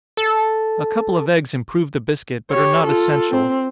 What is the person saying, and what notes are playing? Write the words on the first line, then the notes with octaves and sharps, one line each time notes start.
A couple of eggs improve the biscuit, but are not essential.
A4
G4 C#5
F4 A4
C4